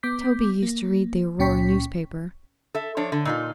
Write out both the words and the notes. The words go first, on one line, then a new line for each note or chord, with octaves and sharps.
Toby used to read the Aurora newspaper.
B3 D6 G6 B6
A#3
C#2 A#2 C#4 G5 C#6 B6
A4 E5
F3 D4 C#5
D3
A#2 D#4 F4